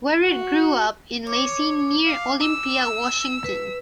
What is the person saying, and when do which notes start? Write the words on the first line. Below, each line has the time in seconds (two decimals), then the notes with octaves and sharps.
Wherret grew up in Lacey near Olympia, Washington.
0.25 F#4
1.27 C#5 D6
2.05 F5
2.41 E6
3.44 B4